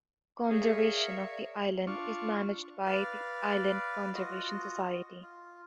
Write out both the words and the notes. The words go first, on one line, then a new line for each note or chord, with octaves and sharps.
Conservation of the island is managed by the Island Conservation Society.
G#4 A#4 C#5 D5 E5 F5 C#7
D4 F4 C#6
B4 D5 F5
F4 F#4 D#5
F4